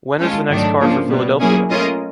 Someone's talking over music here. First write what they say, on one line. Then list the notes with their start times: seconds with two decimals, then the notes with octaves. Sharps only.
When is the next car for Philadelphia?
0.19 G#3 C#4 F4 A4
0.50 G#2 D#3 F#3 A3 D4
0.80 C#3 F3 A#3 D4
1.10 B2 G3 B3
1.40 F#3 A#3 C#4 E4 G#4
1.70 A3 C#4 F4 A#4 D#5